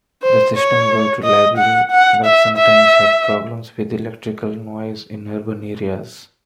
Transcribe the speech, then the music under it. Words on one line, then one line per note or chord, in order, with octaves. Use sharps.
The system worked reliably but sometimes had problems with electrical noise in urban areas.
C5
C#5
D#5
F#5
F#5
E5
E5